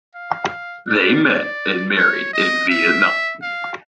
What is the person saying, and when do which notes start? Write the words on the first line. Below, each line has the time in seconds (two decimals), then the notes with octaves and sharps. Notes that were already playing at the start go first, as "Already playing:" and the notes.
They met and married in Vietnam.
0.15 F5
0.88 D5
1.24 D5
1.97 C#5
2.33 D#5
2.70 E5
3.42 F5